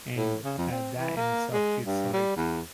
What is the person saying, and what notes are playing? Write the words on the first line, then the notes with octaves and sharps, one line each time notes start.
And, uh, that in itself gets, like,
A2
C#3
F2
C4
E3
A#3
G#3
G2
G3
E2